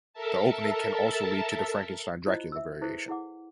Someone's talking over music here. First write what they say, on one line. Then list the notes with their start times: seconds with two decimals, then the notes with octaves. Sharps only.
The opening can also lead to the Frankenstein-Dracula Variation.
0.13 A4 A#4 E5 A5
2.26 E4 F4 C5 D#5
2.52 E5 E6
2.82 E4 G#4 A4 B4 C5
3.08 E4 G#4 F#5 D6